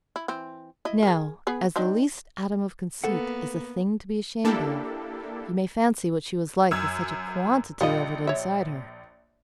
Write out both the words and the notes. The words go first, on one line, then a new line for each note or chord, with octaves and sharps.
Now as the least atom of conceit is a thing to be ashamed of, you may fancy what she was like with such a quantity of it inside her!
E4
E3 C4
E4 D#5
G#4 A#4
B3 G#4 B4
C4 D4 D#4
A#3 B3 A4 F#5
A#3 D4 E4 G4 A4
F#2 E6 G#6
A#1 G3 F4 D#5
C#5 E5